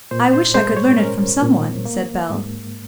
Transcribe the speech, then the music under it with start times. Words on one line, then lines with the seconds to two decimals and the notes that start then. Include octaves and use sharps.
"I wish I could learn it from some one," said Bell.
0.11 A#2 C5
0.33 C5
0.54 G#3 C5
0.77 C#5
0.98 C#4 A#4
1.42 A#2
1.85 A#3
2.29 G#2